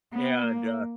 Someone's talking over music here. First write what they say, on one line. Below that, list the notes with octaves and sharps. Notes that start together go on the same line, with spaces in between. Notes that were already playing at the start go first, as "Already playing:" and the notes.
and, uh,
B3
A#3